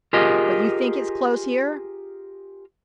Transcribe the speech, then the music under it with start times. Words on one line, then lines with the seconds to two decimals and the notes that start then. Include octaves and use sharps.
"But you think it's close here?"
0.13 F4 G4 G#4 A#4 D#5